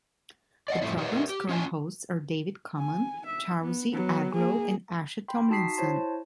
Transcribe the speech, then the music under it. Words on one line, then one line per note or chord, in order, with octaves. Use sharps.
The program's current hosts are David Common, Charlsie Agro and Asha Tomlinson.
D5 D#5 F#5
F#2 A2 F3 A3 C4 E4
G4 A#4 B4 D5 E5 F#5
G4
C#4 F4 E5 G#5 A5
G#5
E5
B3
F#3 B3
A#3 G#4
G5 B5 C6
D#4 F#4 A5 D#6 B6 C7
E4 C5 C#5 A5 C6